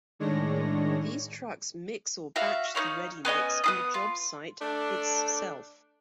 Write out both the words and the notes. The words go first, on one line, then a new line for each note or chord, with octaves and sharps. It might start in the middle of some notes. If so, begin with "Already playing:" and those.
These trucks mix or batch the ready mix on the job site it's self.
A2 D#3 G#3 D4 C#5 A#6
F#4 E5 F5
D#4 A#4 C#5 F5
B3 C#4 D#5 G#5
B3 F4 D#6
F4
A3 D4